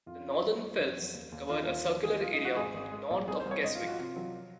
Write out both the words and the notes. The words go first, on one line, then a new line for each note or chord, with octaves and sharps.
The Northern Fells cover a circular area north of Keswick.
F2 F4
F3
F#3
A#3
F2
F#3
D#2
D#2
D#3 F4
F4
D#2
D#3 A#4
D#3 G#4
F3 F4
D#4
G#3
F#4
G#1 G#4
G#1
G#3
A#1
C2 G#4
C5
C2
C#5
G#1 D#5
F4
F3
F#4
C3 F4
F#3
F3